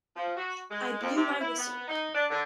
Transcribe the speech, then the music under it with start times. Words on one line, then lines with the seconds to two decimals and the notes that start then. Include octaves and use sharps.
I blew my whistle.
0.15 F3
0.36 F#4
0.69 G#3
1.01 F2
1.15 C3
1.39 E4
1.57 B3
1.88 D#4
2.13 D4
2.29 D3